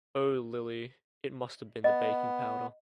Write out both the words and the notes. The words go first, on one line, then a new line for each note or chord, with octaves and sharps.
Oh, Lily, it must have been the baking powder.
B3 D#5